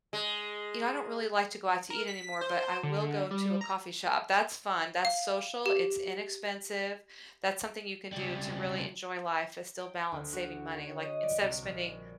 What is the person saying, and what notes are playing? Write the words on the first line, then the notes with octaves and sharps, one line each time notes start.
you know, I don't really like to go out to eat anymore, but I will go to a coffee shop- that's fun, that's social, it's inexpensive. That's something you can do to really enjoy life and still balance saving money- like, instead of spending
G#3
A#4
B6
C5
D3
G3
A#5
F5
G4
C#2 G3
G5
D2
F#4
C#5
D#5
D5
C2
A#1